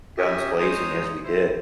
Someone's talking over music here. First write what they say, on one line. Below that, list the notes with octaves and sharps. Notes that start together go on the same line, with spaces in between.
guns blazing as we did,
C#4 G4 D#5 E5
G#3 D#4 C5 C#5 A#5 D#6
E4 C5